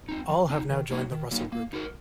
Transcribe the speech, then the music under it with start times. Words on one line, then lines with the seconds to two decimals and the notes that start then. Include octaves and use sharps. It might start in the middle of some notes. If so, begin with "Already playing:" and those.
All have now joined the Russell Group.
0.09 C4 D#4
0.30 F3
0.50 C4 D#4
0.70 D#3
0.91 F#3 A#3 D#4
1.11 D#3
1.31 F#3 A#3 D#4
1.52 A#3
1.73 D#4 F#4 A#4